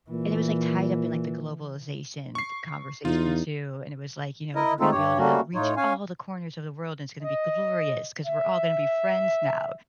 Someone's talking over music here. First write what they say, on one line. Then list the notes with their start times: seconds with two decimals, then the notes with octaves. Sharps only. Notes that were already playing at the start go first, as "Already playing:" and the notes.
And it was, like, tied up in, like, the globalization conversation too, and it was like, you know, "We're gonna be able to reach all the corners of the world, and it's gonna be glorious 'cause we're all gonna be friends now."
0.10 A#2 E3
2.35 C#6 C7
3.05 E2 D#4 F4
4.55 E4 A#4 D#5
4.80 G#3 A3 C4 D#4 F4 A4
4.91 G2 G4 C#5
5.18 G3 A3 A#3 C#4 F#4
5.55 A2 D#4 F4 C#5
5.77 C#4 C#5 F5 G#5
7.23 D#5
8.26 E5